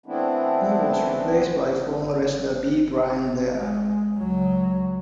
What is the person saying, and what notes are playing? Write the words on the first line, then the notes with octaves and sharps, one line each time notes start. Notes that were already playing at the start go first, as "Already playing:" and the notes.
He was replaced by former wrestler B. Brian Blair.
E3 A3 B3 C4 D4 E4
G#3
C#2 F#3